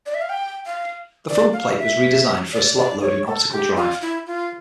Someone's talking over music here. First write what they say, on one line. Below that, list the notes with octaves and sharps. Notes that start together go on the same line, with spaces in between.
The front plate was redesigned for a slot-loading optical drive.
D5
E5
F5
G5
F5
D5
F5
E5
D5
D5
C#5
A4
G4
F4
E4
F4